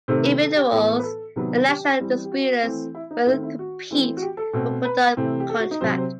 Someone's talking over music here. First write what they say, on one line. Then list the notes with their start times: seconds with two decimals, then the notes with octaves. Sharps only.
Individuals and national distributors will compete for product contract.
0.08 C3 D#3 A3 C4 C5
0.25 B4
0.40 A4
0.56 G4
0.72 A2 E3 B3 A4
0.88 A4
0.99 B4
1.03 A4
1.36 C3 D#3 F#3 B3
1.68 G4
2.00 E3 G3 C4
2.25 G4
2.32 F#4
2.62 E3 A3 C4
2.95 E4
3.11 D#4
3.27 D#3 A3 C4 E4
3.43 E4
3.59 F#4
3.91 E3 A3 C4
4.17 F#4
4.22 G4
4.37 A4
4.53 B2 A3 C4
4.85 B4
5.17 C3 E3 A3 C4
5.40 G4
5.49 A4
5.59 F#4
5.71 D#4
5.81 C3 F#3 C4 C5
5.97 C5